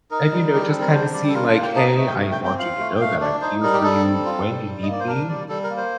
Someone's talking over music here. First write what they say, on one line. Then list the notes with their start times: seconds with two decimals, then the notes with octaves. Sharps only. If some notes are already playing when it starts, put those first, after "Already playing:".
And, you know, just kinda see, like, "Hey, I want you to know that I'm here for you when you need me.
0.11 D#4 A#4
0.31 G3
0.52 G3 G4
0.67 C4 A4
0.81 A#4
0.93 D4 C5
1.13 G3 D5
1.29 A4
1.34 F4 A#4
1.48 A5
1.56 A#3
1.62 G5
1.76 D#4 A5
1.87 A#5
1.97 A3
2.08 G5
2.18 A3
2.32 G5
2.39 C4
2.45 G5
2.59 F4 F5
2.80 A3
2.96 G5
3.01 A3 F5
3.21 D4 D5
3.41 D#4 C5
3.63 G3 A#4
3.73 G4
3.83 G3 A4
4.04 C4
4.25 F4
4.46 G3
4.66 G3
4.83 D#5
4.87 A#3 D5
5.00 C5
5.07 D4 A#4
5.28 G3 D5
5.49 G3 A4
5.64 A#4
5.70 A#3
5.77 C5